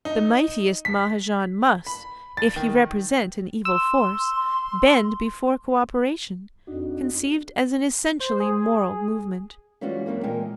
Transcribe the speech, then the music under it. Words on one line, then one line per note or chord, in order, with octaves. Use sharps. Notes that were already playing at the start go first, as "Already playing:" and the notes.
The mightiest Mahajan must, if he represent an evil force, bend before co-operation, conceived as an essentially moral movement.
D#4
B6
B5
A6
D#3
C6 E6
F2 D4 D#4 F#4
C5
G#4
E3 G3 G#3 C#4 F4 F#4
F#2 E3 A#3 C4
A#2 E3 G#3 A#4 G5 G#5